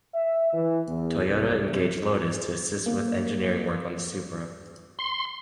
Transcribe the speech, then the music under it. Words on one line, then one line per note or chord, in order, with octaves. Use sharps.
Toyota engaged Lotus to assist with engineering work on the Supra.
E5
E3
E2
C2
C3
F2
A#3
C6